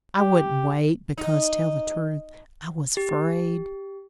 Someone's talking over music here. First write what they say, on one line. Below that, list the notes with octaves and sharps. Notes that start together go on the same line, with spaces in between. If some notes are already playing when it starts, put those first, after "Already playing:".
I wouldn't wait because, tell the truth, I was afraid.
G4
D#4
G4